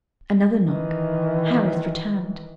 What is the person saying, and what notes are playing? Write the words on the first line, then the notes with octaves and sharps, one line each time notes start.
Another knock: Harris returned.
D#3 E3